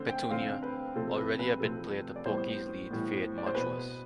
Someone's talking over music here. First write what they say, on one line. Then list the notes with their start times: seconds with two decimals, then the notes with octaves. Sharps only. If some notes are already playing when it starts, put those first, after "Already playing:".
Petunia, already a bit player to Porky's lead, fared much worse.
Already playing: D3 A3 C4 C5
0.09 G5
0.31 D3 A3 C4 F5
0.63 B4
0.95 C3 F3 A3 C4 A4
1.07 A4
1.17 B4
1.39 B4
1.60 C3 F3 A3 C4 A4
2.16 D5
2.25 A2 G3 B3 C5
2.91 A2 G3 B3
3.38 D5
3.46 C5
3.55 B2 B3 B4